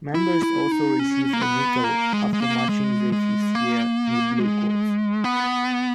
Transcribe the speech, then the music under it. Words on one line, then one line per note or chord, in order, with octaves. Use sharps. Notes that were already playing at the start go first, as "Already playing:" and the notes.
Members also receive a nickel after marching their fifth year in the Bluecoats.
E4
E4
D#4
C#4
A#3
B3
A#3
G#3
G#3
A#3
G#3
G#3
A#3
G#3
B3